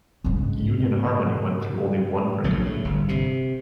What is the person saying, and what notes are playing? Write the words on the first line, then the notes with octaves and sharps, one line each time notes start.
Union Harmony went through only one printing.
G#2 C#3
A#1 C#3 F#3
A2
G1
C3